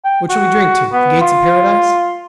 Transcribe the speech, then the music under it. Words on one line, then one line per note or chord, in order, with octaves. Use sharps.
What shall we drink to? The gates of paradise?
G5
F#4
B3
F4